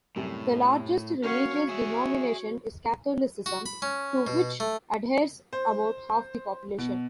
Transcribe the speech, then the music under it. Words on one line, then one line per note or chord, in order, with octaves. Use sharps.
The largest religious denomination is Catholicism, to which adheres about half the population.
F#2 A2 C3 G3
C#4 F#4 A#4 C#5 F5 F#5
G#4 C#5 E5
F#4
B5
C#4
B2
A3
C5
B2